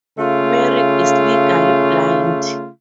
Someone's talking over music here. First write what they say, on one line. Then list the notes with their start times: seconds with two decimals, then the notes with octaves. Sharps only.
Merrick is legally blind.
0.18 C#3 A3 F4